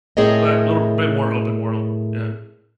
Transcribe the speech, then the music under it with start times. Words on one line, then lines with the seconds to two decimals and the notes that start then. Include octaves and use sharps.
but little bit more open world. Yeah.
0.17 A2 C4 G#4 A#4 C#5 D#5